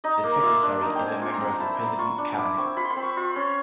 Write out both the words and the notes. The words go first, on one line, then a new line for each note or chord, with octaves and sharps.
The Secretary is a member of the President's Cabinet.
D#4 D#5
A#3
F4 E5
D4
D#4 F5
G5
C4
G#5
F4
A#5
C4
C6
E4 A5
A#5
B3
C6
F4 C#6
D4
E4 D6
C4 C#6
F4 B5
C6
B5
C4
C#6
F4
C#4